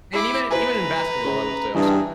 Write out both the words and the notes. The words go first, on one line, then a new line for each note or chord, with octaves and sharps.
and even in even in basketball, I would say also.
E4 D6
E4 B4 C5 G#5 A#5
C#3
G2 E3 D#4 E4 G#4 A5